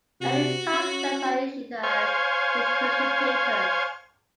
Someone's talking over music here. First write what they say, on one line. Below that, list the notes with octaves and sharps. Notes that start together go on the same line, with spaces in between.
Early concepts are issued as "Discussion Papers".
C3 F#4
C#4
C5 C#5 F5 G#5